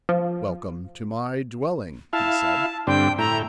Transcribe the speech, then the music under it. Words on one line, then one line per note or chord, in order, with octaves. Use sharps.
"Welcome to my dwelling," he said.
F3
E4 F5 A5
G2 D3 C4 G5
A2 E4 G5 A#5